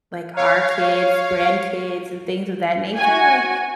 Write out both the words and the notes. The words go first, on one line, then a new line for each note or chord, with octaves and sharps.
like, our kids, grandkids, and things of that nature, like,
C#5 F5
F#4 G#5